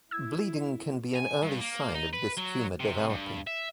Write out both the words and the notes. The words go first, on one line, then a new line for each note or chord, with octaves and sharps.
Bleeding can be an early sign of this tumor developing.
E4 E6 G#6
G#5
G2
A#3
D#4
B4
F#3
C3
G2
E5